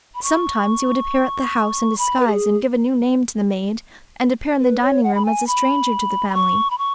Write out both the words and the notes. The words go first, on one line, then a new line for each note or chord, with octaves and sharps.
Sometimes he would appear at the house in disguise and give a new name to the maid and appear in the dining-room as a stranger to the family.
B5
C#6
B5
B4
G#4
B4
C#5
F#5
B5
G#5
B5
B5
C#6
B5
C#6